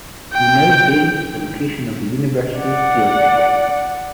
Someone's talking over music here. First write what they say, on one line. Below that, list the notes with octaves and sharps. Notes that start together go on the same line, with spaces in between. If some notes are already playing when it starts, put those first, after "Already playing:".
Mainau Bay is the location of the university sailing club.
G5
D5 F#5